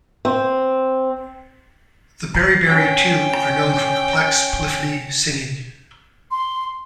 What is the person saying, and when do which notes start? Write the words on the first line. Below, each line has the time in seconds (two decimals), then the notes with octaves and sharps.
The Beriberi too are known for complex polyphony singing.
0.25 C4
2.67 C#4 G5
6.31 C6